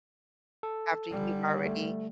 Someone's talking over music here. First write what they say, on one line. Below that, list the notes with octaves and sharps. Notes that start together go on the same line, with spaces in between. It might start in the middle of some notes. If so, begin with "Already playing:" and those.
After you've already
A4
D3 G3
A3